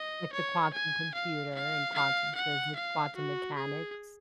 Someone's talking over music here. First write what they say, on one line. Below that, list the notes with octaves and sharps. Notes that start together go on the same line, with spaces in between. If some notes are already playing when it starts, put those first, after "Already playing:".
Like, the quantum computer and quantum physics, quantum mechanics.
Already playing: D#5
C#5
G#5
F5
F5
F5
F#5
F5
F#4
G#4